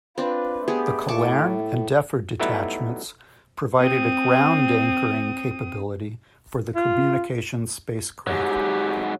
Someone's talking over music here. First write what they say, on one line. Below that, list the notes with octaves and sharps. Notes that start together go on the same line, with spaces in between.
The Colerne and Defford detachments provided a ground anchoring capability for the communications spacecraft.
C4 D4 F4 B4
A3 B3 G4 G#4
A2 A5 C#6 D6
F#3 G3 A3 B3 D#4 E4
C4 D#6
F4
G#2 F#3 G4